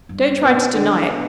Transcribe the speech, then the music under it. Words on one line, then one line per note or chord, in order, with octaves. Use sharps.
Don't try to deny it.
G2
B2
D3
B2